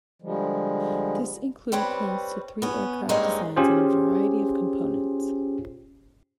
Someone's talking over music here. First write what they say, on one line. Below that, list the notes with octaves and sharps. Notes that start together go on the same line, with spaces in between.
This included plans to three aircraft designs and a variety of components.
D3 F3 G3 G#3
G3 C4 B4 C#5
B3 C#4
G2 G#3 A#3 C4 C#4 D#4
C#4 F4 G4 G#4 C5